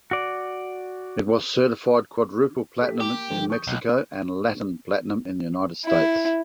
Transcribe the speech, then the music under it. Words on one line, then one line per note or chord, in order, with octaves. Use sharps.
It was certified quadruple platinum in Mexico and Latin platinum in the United States.
F#4 D5
A3 G4 B6
A#3 G4 A#4 G5
D3 D#3 F3
C#6 D#6 G6
B1
E4